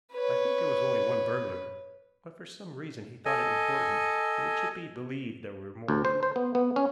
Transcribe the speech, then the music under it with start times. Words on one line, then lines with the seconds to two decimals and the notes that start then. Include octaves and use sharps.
"I think there was only one burglar, but for some reason he thought it important that it should be believed there were more."
0.12 B4 C#5
3.25 A4 D#5 G#5
5.88 D2
6.05 C5
6.23 C5
6.36 B3
6.55 B3
6.76 C#4